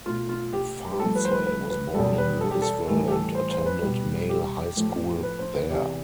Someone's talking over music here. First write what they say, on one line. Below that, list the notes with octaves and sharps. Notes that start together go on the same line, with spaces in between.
Farnsley was born in Louisville and attended Male High School there.
B2 A3 F4
F4
G4
G4
G2 F3 A3 A4
B4
C5
B4
B4
B4
E2 B2 G3 A4
B4
A4
G4
A4
A2 E3 G3 A4
G4
A4
C5
C5
B4
B2 G3
G4
A2 F3 A3
B4
C5
B4
E2 C3 E3 G4